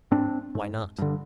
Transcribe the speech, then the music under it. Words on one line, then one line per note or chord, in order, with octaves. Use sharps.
Why not?
G#2 C4 D4
G#2
G2 D3